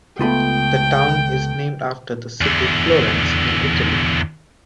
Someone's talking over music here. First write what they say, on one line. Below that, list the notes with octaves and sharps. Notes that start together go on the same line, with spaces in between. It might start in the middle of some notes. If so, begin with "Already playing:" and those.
The town is named after the city Florence in Italy.
C#2 A3 B3 F4 G5 B5
E2 D3